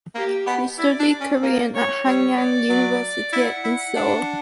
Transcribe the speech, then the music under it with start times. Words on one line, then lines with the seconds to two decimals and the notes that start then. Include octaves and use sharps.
She studied Korean at Hanyang University in Seoul.
0.15 A#3 G4
0.47 B3
0.78 E4 D5
1.00 D4
1.21 C#4
1.43 A#3
1.74 C#5
2.05 G3 C#5
2.37 D5
2.70 F#3
3.32 E4 F#5
3.64 E4
3.96 D4